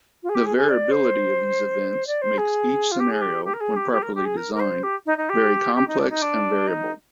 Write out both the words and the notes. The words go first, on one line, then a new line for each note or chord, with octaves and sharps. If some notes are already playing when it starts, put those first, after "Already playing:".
The variability of these events makes each scenario-when properly designed-very complex and variable.
F4
G#4
G4
G#4
G#4
D5
C5
D5
C5
G#4
F4
G4
G#4
G4
G4
A#4
G#4
G4
G4
A#4
G4
G#4
A#4
A#4
C5
G4
D#4
D#4
G4
G4
D#4
D4
D#4
D4
D#4